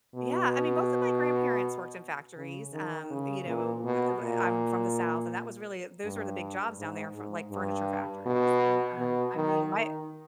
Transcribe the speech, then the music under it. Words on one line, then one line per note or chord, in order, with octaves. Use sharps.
Yeah, I mean, both of my grandparents worked in factories, um, you know, eh w I'm from the South, and that was really those were the big jobs down there for, like, furniture factories, arnd, um, I mean, my
B2
C#3
D#3
C#3
A#2
B2
A#2
G2
G#2
G#2
G2
B2
B2
D#3
D#3